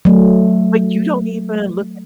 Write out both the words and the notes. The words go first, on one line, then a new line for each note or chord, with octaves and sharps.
But you don't even look at
F#3 A3